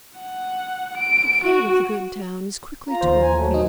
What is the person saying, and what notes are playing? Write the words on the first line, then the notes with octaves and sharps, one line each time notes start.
The fate of the good town is quickly told.
F#5
D7
F#4
F4 A#5
D#2 C5
G#5
F#3 A3
G2 A#2 F#3 D#4